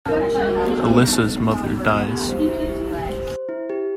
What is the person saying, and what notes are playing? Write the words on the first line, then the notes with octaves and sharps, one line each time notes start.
Alicia's mother dies.
A#4
A#4
F#4
B3
D#4
D#4
B3
D#4
B3
B3
G4
C5
E4
G4
G4
C5
C5
E4
G4